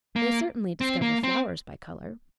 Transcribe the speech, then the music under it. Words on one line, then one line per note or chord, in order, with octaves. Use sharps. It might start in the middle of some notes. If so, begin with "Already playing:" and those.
They certainly discover flowers by colour.
A#3
C4
A#3
C4